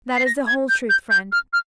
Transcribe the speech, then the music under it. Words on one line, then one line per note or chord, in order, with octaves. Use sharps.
That is the whole truth, friend.
C7
A#6
G#6
G6
G6
G6
F6
F6